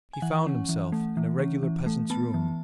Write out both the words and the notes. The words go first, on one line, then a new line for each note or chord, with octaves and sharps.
He found himself in a regular peasant's room.
G#5
E3 F#5
C#4
E3
A3
E3
C#4
E3
A3
B3 A5
E3